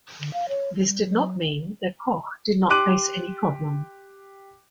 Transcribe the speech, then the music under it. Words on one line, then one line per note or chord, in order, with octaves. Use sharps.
This did not mean that Kok did not face any problem.
D3
F5
C#5
G3
F#3
G4 C6 D6 F#6 D#7 F#7